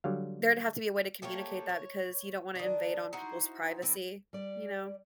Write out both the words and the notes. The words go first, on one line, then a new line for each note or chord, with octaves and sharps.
there'd have to be a way to communicate that because you don't wanna invade on people's privacy, you know?
D3 F#3 G3 F5
A3 A#3 G4 C#5
C#5
D#3 D4
D#4 E4 F#4 C5
E3 C4
G3 D5